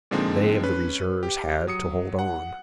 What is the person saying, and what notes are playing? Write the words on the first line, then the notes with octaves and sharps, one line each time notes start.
They of the reserves had to hold on.
A#2 D3 F3 G#3 C4 D#4
C#4 B4
G4
F#3 D#6 C#7
F#5